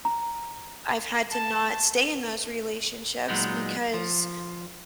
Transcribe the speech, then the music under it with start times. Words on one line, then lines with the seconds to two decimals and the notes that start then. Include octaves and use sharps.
I've had to not stay in those relationships, because
0.05 A#5
1.31 A5
3.28 A#2 F#3 G#3 B3 D#4
3.94 F3